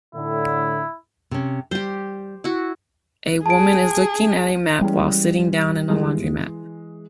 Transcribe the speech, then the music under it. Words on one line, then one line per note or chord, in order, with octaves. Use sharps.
A woman is looking at a map while sitting down in a laundromat.
A2 D3 E4
C3 C#4
G3 G4 C5
E4 F#4
G#4 A5 D7
E3 G3 G#3 C#4
E3 G#3